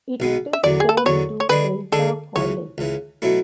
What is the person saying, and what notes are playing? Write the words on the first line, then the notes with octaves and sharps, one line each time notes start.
It is home to Delta College.
B1 B2 G#3 B3
E5
E2 D3 F#3 D5
G#4
A4
B4
E2 D3 F#3 C#5
C#5
D3 G#3 D4 G#4 B4
D3 G#3 D4 G#4 A4
C#2 C#3 E3 C#5
C#2 C#3 E3
B2 F#3 A3 E4